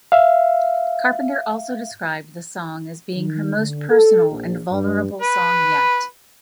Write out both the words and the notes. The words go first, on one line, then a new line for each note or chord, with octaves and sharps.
Carpenter also described the song as being her most personal and vulnerable song yet.
E5 F5
D#3
D3
A4
A#1
G2
B4